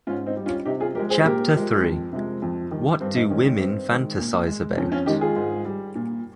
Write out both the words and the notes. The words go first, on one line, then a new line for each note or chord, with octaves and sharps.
Chapter Three: What do women fantasize about?
G#2 C#4 F4
C4 D#4
G3
C#4 F4
C3 D#4 G4
F4 G#4
F3 G4 A#4
G#3
G#4 C5
A#2 G4 A#4
F3 G#3
F2
C3 F3 G#3
F2
D#3 G3
G2 C4
C4 D#4
D#3 G#3 C#4
C#4
G2 C4
D#3 G#3
A#2
G#3
F2 C#4
C#4 F4
D#3 G#3 D#4 G4
F4 G#4
G#2
G3
A#2